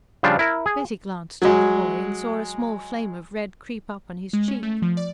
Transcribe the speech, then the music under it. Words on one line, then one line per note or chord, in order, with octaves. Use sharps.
Betty glanced at the boy and saw a small flame of red creep up on his cheek.
C#3 F3 G3 D4 F4
E4 A#4
G#4
F#3 G#3
G#3
C#4
A3
F3
D5